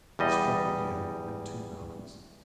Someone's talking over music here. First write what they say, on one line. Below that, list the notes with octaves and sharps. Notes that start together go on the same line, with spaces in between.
He struck again, and two knocks.
E2 G3 D#5